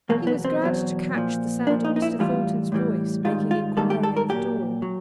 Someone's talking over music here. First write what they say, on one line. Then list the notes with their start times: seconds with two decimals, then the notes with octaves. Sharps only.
He was glad to catch the sound of Mr. Thornton's voice, making enquiry at the door.
0.09 E2 B2 F#3 A#3
0.27 B3
0.45 C4
0.62 E2 B2 F#3
1.14 A#2 F3
1.67 A#2 F3 D4
1.85 D#4
1.96 D#4
2.02 E4
2.19 A2 E3 G3 F4
2.72 A2 E3 G3
3.25 G#2 D#3 G3 F4
3.51 F4
3.77 G#2 D#3 G3 A4
3.90 G4
4.03 A4
4.17 A#4
4.29 A#2 F#3 G4
4.82 F#3